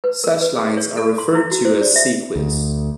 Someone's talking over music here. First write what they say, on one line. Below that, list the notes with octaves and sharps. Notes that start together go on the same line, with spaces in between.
Such lines were referred to as "ceques".
B4
A#4
B4
G#4
C#5
A4
C6
E4
F#4
C5
D5
E5
D2